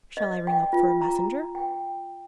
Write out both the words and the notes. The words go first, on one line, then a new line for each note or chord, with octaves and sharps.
"Shall I ring up for a messenger?"
D#5
G5
F4
A#5
G5